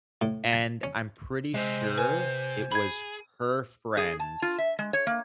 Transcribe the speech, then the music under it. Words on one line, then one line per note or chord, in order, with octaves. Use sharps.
And I'm pretty sure it was her friends
A2
A5
C#4
C3 G#3 C5
B4 G#5
G#4 B5 G#6
G#4
A5
F4
E5
G#3
C#5
A#3